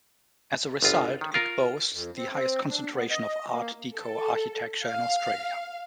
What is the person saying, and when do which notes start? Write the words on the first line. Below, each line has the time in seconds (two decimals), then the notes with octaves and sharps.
As a result, it boasts the highest concentration of Art Deco architecture in Australia.
0.82 G1 C#2 F4
1.21 D#3
1.34 F4 A#4
1.92 F2
2.16 C4
2.31 C4
2.68 D4
2.92 B3
3.10 D#5
3.52 A#3
3.95 A4
4.84 F5